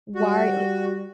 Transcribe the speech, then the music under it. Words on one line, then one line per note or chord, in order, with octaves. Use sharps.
why li
G3 F#4